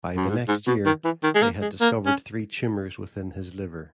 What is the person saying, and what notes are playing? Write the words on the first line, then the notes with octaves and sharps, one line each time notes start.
By the next year, they had discovered three tumors within his liver.
F#2
G#2
G#2
B2
D#3
E3
D#3
G#3
A#3
G#3
A#3
C#4